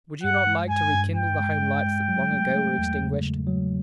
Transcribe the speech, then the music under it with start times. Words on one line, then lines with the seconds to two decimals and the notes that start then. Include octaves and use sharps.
Would you not like to rekindle the home lights that long ago were extinguished?
0.23 G2 F#5
0.47 G#3
0.69 G2 G#5
0.93 G2
1.16 G2 G5
1.40 G#3
1.63 G#3
1.86 G#3
2.09 F#3
2.31 A3
2.55 A3
2.78 E2
3.01 C#3
3.25 E2
3.47 F#3